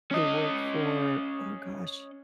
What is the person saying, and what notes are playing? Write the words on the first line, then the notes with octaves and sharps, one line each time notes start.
they work for oh gosh,
C#4 D#5